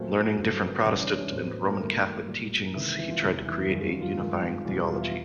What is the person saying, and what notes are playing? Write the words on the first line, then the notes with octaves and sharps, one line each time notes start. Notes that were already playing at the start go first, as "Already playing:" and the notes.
Learning different Protestant and Roman Catholic teachings, he tried to create a "unifying theology".
Already playing: A#2 F#3 A3 C4 C5
G2 D3 F#3 A3
A4
A#4
B4
C5
C3 E3 G3 C#4 C#5
D4 D5
C#4 C#5
A2 F#3 A3 C4 C5
B3 B4
A#3 A#4
G2 D#3 F#3 A3
A#2 G3
C3 D#3 E3 G#3 E4
E3 E4
F3 F4
E2 C3 D#3 G3
E3 E4
F#2 D#3 F3 G3 F4
F#3 F#4
F3 F4
G2 D#3 G#3
E2 B2 G3
F4
E4